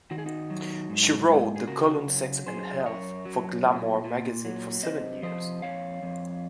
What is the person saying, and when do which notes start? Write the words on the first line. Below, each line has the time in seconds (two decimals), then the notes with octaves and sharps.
She wrote the column "Sex and Health" for "Glamour" magazine for seven years.
0.11 D#3 F#4
0.18 G#4
0.26 D#4 F#4
0.50 F#3
0.90 G#2
1.29 G#2
1.56 G#4
1.68 C#3 F#4 A#4
2.08 F#3
2.47 F#2 G#4 C5
2.80 D#5
2.86 F#2 A#4 C#5
3.25 F#3
3.66 A#2
4.04 A#2
4.45 F#3
4.83 C3 C5 D#5
5.23 F3 C5 D#5
5.62 F2 C#5 F5
6.03 F2